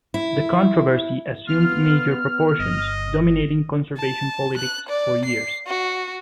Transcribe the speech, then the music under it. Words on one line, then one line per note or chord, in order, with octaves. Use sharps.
The controversy assumed major proportions, dominating conservation politics for years.
E4
B3 F4 F6
G1 D#5
A5
F#6
D5
C7
F#4